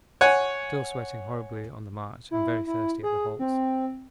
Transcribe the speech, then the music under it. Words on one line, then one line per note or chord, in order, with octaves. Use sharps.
Still sweating horribly on the march and very thirsty at the halts.
C#5 F#5 G#5
E4
E4
G#4
C4